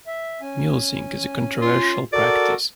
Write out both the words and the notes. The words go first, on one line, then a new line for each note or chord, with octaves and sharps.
Mulesing is a controversial practice.
E5
C#4 G#5
F4
F#4 A4 A#4 D5